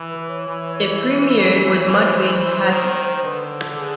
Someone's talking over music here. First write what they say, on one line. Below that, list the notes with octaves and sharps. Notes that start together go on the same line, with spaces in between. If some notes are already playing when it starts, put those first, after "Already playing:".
It premiered with Mudvayne's Happy?
Already playing: E3
B4
C#5
E3
C5
C5
C#5
C5
C5
D#3
D3 B4
A4
G#4